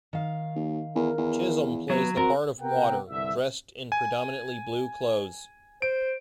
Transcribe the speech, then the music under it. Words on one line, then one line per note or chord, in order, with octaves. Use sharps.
Chisholm plays the part of water, dressed in predominantly blue clothes.
D#3 F5
D#2
E2 A#4
E2
F#3 B3
C4 F#4 A#4
C3 B3 A#4 F#5 G5
C2 G2 D3 E5
G#5
C5 D7